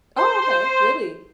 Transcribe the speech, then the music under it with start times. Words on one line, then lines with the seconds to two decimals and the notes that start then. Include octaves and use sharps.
Oh, okay. Really?
0.17 C5